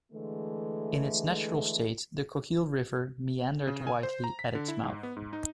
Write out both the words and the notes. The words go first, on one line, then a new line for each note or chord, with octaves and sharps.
In its natural state, the Coquille River meandered widely at its mouth.
D3 E3 G#3 A3
C#3
G#5
C5
A#5
B6
D3
E4
G#2
B3
G#2
D#4